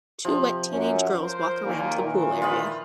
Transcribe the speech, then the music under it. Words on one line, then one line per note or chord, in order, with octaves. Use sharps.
Two wet teenage girls walk around the pool area.
C3 F3
F#2 C#4
A#4 C5
D#2 A#2
A#2 D#3 E3
F4 D#5 B5